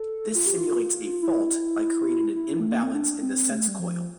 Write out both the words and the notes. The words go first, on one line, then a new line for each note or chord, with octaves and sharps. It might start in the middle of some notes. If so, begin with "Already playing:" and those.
This simulates a fault by creating an imbalance in the sense coil.
Already playing: A4
F4
G4
F4
E4
E4
A3
A#3
C4
D4
C4
A3
G3
F3